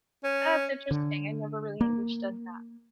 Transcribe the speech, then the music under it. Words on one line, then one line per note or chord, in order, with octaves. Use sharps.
That's interesting. I never really understood that.
C#4
D3
A#3